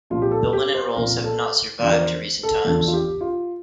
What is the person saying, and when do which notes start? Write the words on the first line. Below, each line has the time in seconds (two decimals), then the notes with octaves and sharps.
The Linen Rolls have not survived to recent times.
0.10 C2 A#2 F3 F4
0.22 G4
0.32 A4
0.53 G4
0.74 C5
0.96 C2 A#2 F3 A#4
1.24 A4
1.79 E2 D3 F3 D5
1.92 A#4
2.01 C5
2.43 A4
2.65 E2 D3 F3 A4
2.88 F4
2.93 G4
3.21 F4